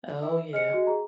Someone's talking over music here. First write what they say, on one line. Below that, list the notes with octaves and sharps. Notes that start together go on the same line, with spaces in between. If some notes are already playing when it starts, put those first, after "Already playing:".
Oh, yeah.
E4
G#3 F6 C#7
F#4
G#4 A#5